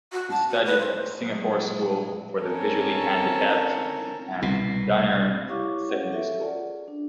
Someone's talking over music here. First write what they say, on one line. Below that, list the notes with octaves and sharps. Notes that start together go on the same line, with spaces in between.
He studied at the Singapore School for the Visually Handicapped and Dunearn Secondary School.
F#4
A5
F#4
B4
C5
A#2 F#3 G#3
C4 C#4 A4 A#4
C2 B2
E4 G4 C#5 F5 C#6 D6
C#4 F#4 G#4 C#5 F#5
A4 E5
F4 D5 F#5
G#4
D4